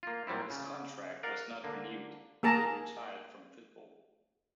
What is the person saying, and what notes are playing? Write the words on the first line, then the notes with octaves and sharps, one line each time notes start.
His contract was not renewed and he retired from football.
A#3 F4
A#2 F#3 G3 C4 E4
C#3
A#4 D5 F5 F#5
D3 A#3
A#3 G#4 A5 A#5